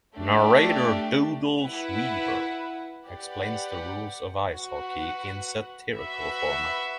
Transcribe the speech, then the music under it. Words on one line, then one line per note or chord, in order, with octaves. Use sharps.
Narrator Doodles Weaver explains the rules of ice hockey in satirical format.
A3 D4 G4 D5
E4 B4 F#5
G4 B4 D5 F#5
F#4 B4 F#5
F#4 B4 E5